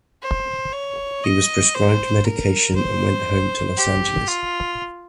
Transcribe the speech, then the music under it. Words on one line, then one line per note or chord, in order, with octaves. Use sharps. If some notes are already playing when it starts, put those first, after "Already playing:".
He was prescribed medication and went home to Los Angeles.
C5
C#5
D#5
C5
A#4
C5
G4
F4